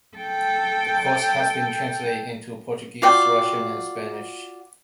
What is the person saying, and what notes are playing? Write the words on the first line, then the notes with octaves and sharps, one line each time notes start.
The course has been translated into Portuguese, Russian and Spanish.
A4 G5
F4 F#4 D5 G5